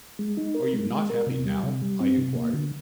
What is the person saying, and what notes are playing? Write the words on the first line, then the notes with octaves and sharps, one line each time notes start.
"Are you not happy now?" I inquired.
G#3
D#4
A#4
G#3
G#3
A#4
C3
G3
C3
G3
C4
C3
A#3
D3